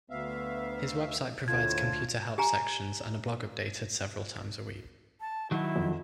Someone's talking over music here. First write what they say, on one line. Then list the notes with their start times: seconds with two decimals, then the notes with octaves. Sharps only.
His website provides computer help sections and a blog updated several times a week.
0.10 D2 B3 E5 F5
1.48 D2 A2 F4 A5 G#6
2.38 G4 G#5 A#5
5.21 A5
5.51 D#3 F#3 E4
5.76 F2